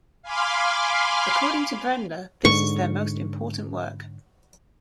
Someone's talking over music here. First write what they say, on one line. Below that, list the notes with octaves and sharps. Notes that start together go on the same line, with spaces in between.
According to Brenda, this is their most important work.
F5 G#5 B5 C6 D6 F6
G#2 D3 C#6